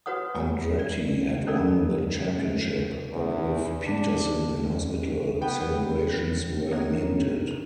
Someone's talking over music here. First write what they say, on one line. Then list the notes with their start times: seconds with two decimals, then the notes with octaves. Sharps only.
Andretti had won the championship, but with Peterson in hospital, celebrations were muted.
0.06 F#4 B4 C#5 F#5 D#6
0.79 D5
1.47 C#4 D#4 A4 A#4 D5
3.13 E2
3.85 D4
5.42 B3 G5
6.72 B3 D4 D#4 A#4 C#5